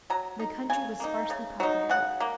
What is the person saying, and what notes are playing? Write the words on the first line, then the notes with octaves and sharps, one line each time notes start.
The country was sparsely populated.
F#3 A#5
D#4
C#3 G#5
A#3 D#4
C#3
F#3 D#4
C#3 F#5
A#3